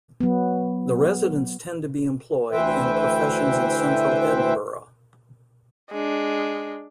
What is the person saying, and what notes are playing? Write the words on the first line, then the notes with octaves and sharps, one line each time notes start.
The residents tend to be employed in professions in central Edinburgh.
F#3 B3
D2 E3 B4 C5 E5 G5
G#3 D4